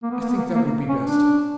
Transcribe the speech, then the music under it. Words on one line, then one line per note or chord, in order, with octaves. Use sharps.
I think that would be best.
A#3
B3
A#3
B3
A#3
A#3
C#4
D4